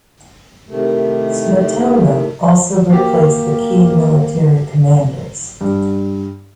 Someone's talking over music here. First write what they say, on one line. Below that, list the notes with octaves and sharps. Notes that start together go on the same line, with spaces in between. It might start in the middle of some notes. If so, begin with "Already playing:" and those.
Smetona also replaced the key military commanders.
A2 C3 D#3 A3
A#3 F#4 G4
G2